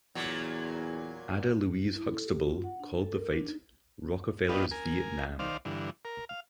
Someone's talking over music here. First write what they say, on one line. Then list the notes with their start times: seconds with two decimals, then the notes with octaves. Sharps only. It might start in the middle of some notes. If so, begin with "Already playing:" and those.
Ada Louise Huxtable called the fight "Rockefeller's Vietnam".
0.15 E2 A#2 F#3
1.95 E4
2.13 A4
2.26 G4
2.42 F4
2.64 F#5
2.80 D4
3.02 A4
3.18 A#4
3.32 D4
3.45 D#4
4.49 B3 D4 F4 G4 B4 D#5
4.71 A#4 G#5
5.39 D#3 C5 D5 F5
5.65 G2 D3 E3
6.05 A#4
6.29 F5